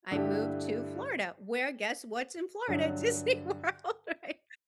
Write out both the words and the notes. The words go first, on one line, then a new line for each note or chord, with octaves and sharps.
I moved to Florida, where guess what's in Florida? Disney World, right?
G2 D3 A3 E4 G4
G2 D3 F#3